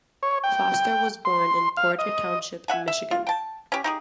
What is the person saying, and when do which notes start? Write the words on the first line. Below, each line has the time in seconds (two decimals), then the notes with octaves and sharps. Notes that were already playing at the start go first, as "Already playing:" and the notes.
Foster was born in Porter Township Michigan.
0.23 C#5
0.44 G5
1.25 C6
1.77 F5
1.99 D#5
2.68 E5 F#5 G#5
2.88 E5
3.11 F4
3.27 G5 A5
3.72 C#4 G4
3.84 D#4 G4 G#4